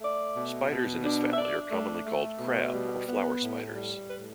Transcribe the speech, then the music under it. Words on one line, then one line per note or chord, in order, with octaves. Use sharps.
Spiders in this family are commonly called "crab" or "flower" spiders.
A3 D5
B2
B2
D4
E5
D4 D5
A3
A3
B2
G3
B3
A2
G3
A2 B4